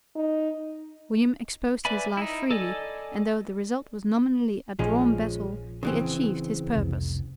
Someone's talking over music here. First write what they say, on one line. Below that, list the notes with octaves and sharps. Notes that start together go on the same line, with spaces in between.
William exposed his life freely, and though the result was nominally a drawn battle, he achieved his purpose.
D#4
B4 D5 E5 G#5 B5
D#4 E4
A4 D5 D#5 G#5
A#1 F3 G#3 C#4
C#3 E3 C4
F1 C2